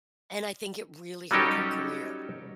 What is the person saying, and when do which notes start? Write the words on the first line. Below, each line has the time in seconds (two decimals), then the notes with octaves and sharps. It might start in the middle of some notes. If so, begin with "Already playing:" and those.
And I think it really hurt her career.
1.31 F#3 G3 C#4 D#4 G4 A4